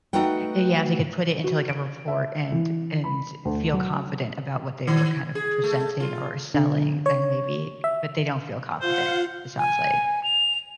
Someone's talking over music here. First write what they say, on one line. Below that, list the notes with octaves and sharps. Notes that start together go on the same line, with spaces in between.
Yeah, if they could put it into, like, a report and and feel confident about what they were kind of presenting or or selling, then maybe but they don't feel confident, it sounds like.
A3 D#4 F#4 B4 F#5 G5
F#4
D7
E5
E3
B5
D2
F#3
D#3
G#4
A3
F4
D3
C#5
E5
F4 C5 F5 F#5
G#5
F7